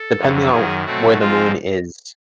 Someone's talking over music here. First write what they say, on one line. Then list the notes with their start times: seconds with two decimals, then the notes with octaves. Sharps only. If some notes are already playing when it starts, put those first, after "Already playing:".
depending on where the Moon is.
Already playing: A4
0.17 F2 D3 F#3
0.51 F#2 D#3 F#3 G#4
0.84 B2 F#3 A3 C4 F#4
1.18 G#2 F3 G#3 C4 F4